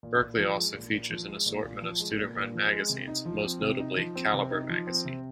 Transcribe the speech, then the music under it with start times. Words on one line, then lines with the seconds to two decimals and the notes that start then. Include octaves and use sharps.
Berkeley also features an assortment of student-run magazines, most notably Caliber Magazine.
0.03 A#2
0.21 A#2
0.38 F3
0.56 G#3
0.74 A#2
0.92 A#2
1.10 F3
1.28 G#3
1.46 A#2
1.64 A#2
1.82 F3
2.00 G#3
2.18 A#2
2.36 A#2
2.54 F3
2.72 G#3
2.89 C3
3.07 D#4
3.25 F3
3.43 C4
3.61 C3
3.80 D#4
3.97 F3
4.15 C4
4.33 C3
4.51 D#4
4.69 F3
4.87 C4
5.05 C3